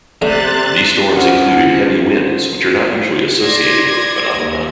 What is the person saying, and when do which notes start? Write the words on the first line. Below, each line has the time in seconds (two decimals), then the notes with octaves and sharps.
These storms included heavy winds which are not usually associated with the phenomenon.
0.22 C3 A3 D5 F#6 A6
1.15 C#4 F4 A4 C5 F#5
3.43 D5 C6 G#6 A#6
4.37 D#2